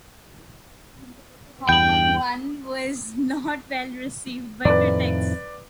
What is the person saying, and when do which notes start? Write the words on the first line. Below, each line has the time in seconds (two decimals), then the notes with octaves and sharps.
"Common One" was not well received by critics.
1.69 E2 G2 G5 G6 F#7
4.65 F2 A2 D#3 B4 D5